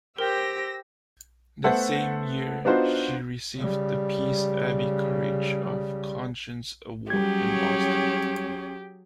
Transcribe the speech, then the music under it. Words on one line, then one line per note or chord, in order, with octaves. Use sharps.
That same year she received the Peace Abbey Courage of Conscience Award in Boston.
G4 A#4 C5 G5 E6 A#6
A3 B3 A4 C5 E5 F#5
B3 D4 D#4 F4 F#4 C5
C#3 G3
F#3 G3 C#4 G4 G#4 C#5 G#6